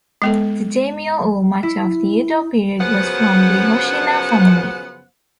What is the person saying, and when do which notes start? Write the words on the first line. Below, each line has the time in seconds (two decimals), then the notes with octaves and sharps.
The daimyo over much of the Edo period was from the Hoshina family.
0.22 G#3 B3 A4
1.63 E4
2.79 F#2 C#3 F3 B3 C5 F#5